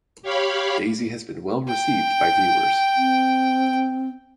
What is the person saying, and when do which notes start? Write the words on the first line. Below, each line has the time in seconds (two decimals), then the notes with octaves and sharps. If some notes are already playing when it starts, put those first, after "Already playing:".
Daisy has been well received by viewers.
0.22 G4 C#5 F5 B5
1.68 G5
2.97 C4